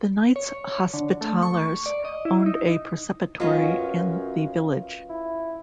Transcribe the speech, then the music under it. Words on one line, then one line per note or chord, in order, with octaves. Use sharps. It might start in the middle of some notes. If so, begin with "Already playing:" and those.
The Knights Hospitallers owned a preceptory in the village.
C#5
D3
A3
C#6
D5
D#5
E4
D#4
F#3 B3 C#4 F4 D#5
F#2
E4